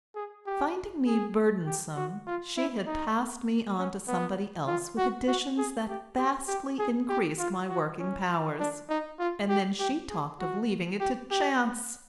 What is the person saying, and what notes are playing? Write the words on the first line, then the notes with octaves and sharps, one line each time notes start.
Finding me burdensome, she had passed me on to somebody else with additions that vastly increased my working powers, and then she talked of leaving it to chance!
G#4
G4
G#4
G4
F#4
F4
E4
D#4
C#4
B3
F4
F#4
F#4
G#4
G4
G4
G4
G#4
G4
F4
F#4
C#4
D4
D#4
F4
G4
G4
G#4
F#4
G4
G4